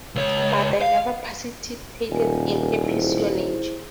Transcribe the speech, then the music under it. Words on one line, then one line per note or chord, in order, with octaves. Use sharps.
But I never participated in espionage.
C#2 C#5
F5
D#1 G4 A#4 G#5
E4 G#4 C5